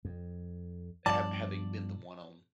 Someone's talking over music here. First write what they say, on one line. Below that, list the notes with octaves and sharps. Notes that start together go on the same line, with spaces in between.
Hav having been the one on
F2
G2 B2 F3 D5 A5